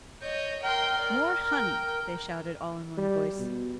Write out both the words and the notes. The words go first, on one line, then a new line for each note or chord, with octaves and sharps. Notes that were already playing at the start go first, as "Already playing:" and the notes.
"More honey!" they shouted, all in one voice.
C#5 D#5 G6
A#4 G5 C6
D5
G5
G3
B2